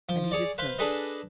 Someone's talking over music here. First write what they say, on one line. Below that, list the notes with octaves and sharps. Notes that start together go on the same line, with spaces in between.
And he did so.
F3
G#4 C#5 D5
B4 C5 F5
D4 G#4 A4 B4 D#5